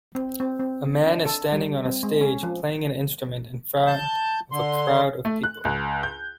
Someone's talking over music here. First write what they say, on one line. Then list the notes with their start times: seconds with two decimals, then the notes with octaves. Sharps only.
A man is standing on a stage playing an instrument in front of a crowd of people.
0.15 C4
0.40 C4
0.60 C4
1.07 D4
1.25 A4
1.52 G3
1.86 C4
2.03 G#3
2.21 C#4
2.43 F3
3.87 A5 G6
4.52 D3 C6
5.25 A3
5.43 F#6
5.65 C#2
6.03 G6